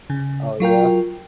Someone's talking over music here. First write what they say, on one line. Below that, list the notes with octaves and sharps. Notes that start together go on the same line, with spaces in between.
Oh, yeah?
C#3
F#3 F4 A#4 G5